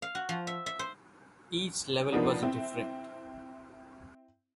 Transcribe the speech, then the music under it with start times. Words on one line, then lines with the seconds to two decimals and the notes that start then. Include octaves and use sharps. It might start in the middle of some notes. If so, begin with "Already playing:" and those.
Each level was different.
0.02 F5
0.15 F#4
0.29 F3
0.47 E5
0.66 E5
0.79 C5
2.12 F3 A#3 B3 D4 D#4
2.43 C4 E4